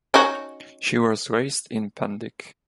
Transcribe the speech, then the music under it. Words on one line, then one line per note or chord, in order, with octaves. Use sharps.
She was raised in Pendik.
C#4 D#4 F#4